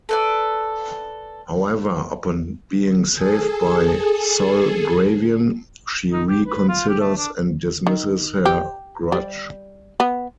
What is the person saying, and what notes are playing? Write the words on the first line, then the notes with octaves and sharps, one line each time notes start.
However, upon being saved by Sol Gravion, she reconsiders and dismisses her grudge.
A4 B4 D5
G#4 A4
D#4
G4
B4
F4
G4
A3
D4
D#3
G4
G3
B3